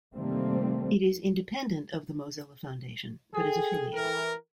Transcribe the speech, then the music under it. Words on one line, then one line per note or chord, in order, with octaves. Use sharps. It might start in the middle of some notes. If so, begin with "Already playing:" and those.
It is independent of the Mozilla Foundation, but is affiliated with them.
C3 D#3 G3 A3 A#3 C4
G#4 A4 G5
E3 A#4